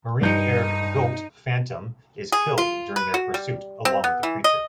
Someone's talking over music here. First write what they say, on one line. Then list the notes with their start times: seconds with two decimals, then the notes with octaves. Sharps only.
Marine Eric "Goat" Fantom is killed during their pursuit, along with the creature.
0.21 G2 D#4 G6 C#7
2.32 G#4
2.58 F4
2.96 B4
3.14 F#4
3.34 G3
3.85 C4
4.04 B3
4.23 E3
4.44 D#5